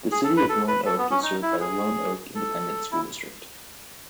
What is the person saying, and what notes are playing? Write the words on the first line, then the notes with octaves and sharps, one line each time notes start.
The city of Lone Oak is served by the Lone Oak Independent School District.
G#4
A4
B4
A4
B4
A4
B3
C#4
D#4
E4
G#4
A4
E4